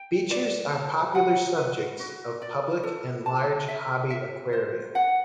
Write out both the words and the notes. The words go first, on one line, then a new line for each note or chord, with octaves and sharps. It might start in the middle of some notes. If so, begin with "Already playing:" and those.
Bichirs are popular subjects of public and large hobby aquaria.
Already playing: G5
D5
A5
F#5
B4
F#4
D5
A4
A5
E5
E5
C5
F#5